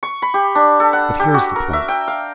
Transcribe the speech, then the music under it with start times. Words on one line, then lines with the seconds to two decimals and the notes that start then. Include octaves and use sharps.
But here is the point.
0.03 C#6
0.22 B5
0.34 G4
0.55 D4
0.80 A4
0.93 F#5
1.20 G4
1.34 F#4
1.56 A#4
1.73 E5
1.88 G5
2.08 F5